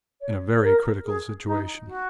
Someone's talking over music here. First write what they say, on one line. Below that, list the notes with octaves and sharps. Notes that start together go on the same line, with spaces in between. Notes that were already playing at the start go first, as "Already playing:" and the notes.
In a very critical situation.
C#5
C#5
A#4
G#4
D#4
F#4